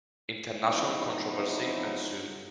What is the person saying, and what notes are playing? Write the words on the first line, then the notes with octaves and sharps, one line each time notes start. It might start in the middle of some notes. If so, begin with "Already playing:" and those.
International controversy ensued.
F3 F#3 B3 C4 D#4 E4